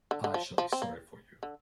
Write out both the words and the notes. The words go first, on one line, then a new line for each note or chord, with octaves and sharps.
I shall be sorry for you.
D3
D3
F3
F3
C4
A#3
D3